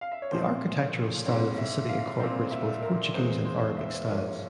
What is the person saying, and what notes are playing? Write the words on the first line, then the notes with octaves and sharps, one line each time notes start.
The architectural style of the city incorporates both Portuguese and Arabic styles.
F5
E5
C#5
A#2 F3 C4 C5
G#2 G3 C4 C#5
E5
F5
A#2 G3 C4 C5
E5
A#4
E2 E3 G#3 C4 C5
C5
E5
G#2 F3 A#3 C#5